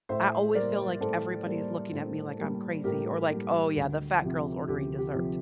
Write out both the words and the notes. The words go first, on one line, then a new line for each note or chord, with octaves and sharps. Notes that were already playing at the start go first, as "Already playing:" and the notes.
I always feel like everybody's looking at me, like, I'm crazy or like, "Oh, yeah. The fat girl's ordering dessert."
A2 C5 E5
G3 A#3 A#4 D5
A2 A4 C5
G3 A#3
A2
G3 A#3
A2 G4 A#4
G3 A#3
D2
C3 F3
D2 G4
G4
C3 F3